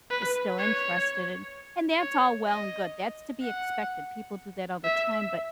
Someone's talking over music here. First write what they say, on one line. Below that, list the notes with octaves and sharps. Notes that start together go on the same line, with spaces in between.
is still interested and and that's all well and good, that's to be expected. People do that all the time, but
B4
C#5
C#5
D#5
F#5
E5